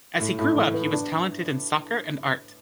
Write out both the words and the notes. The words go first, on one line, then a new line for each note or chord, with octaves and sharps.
As he grew up he was talented in soccer and art.
A2
A2
E3
B3
D4